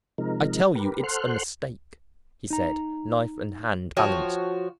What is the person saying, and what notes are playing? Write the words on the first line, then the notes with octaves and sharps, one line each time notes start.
"I tell you, it's a mistake," he said, knife and hand balanced.
C3 F3 G#3 D#4 A#4
G4 A#4 B4
A4 C5 F#5 C6 F6 F#6
D#4 A#5
F3 F#4 C#5 G5 A5